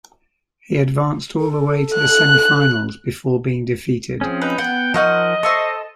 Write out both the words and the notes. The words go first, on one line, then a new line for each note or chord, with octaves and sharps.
He advanced all the way to the semifinals before being defeated.
A4
F#6
F3 C4 C#4 G#4
D#4 B4
B3 F#5 G5
F3 D#4 A#4 D#5 F#5 C#6 F6
A4 C5 E5 C#6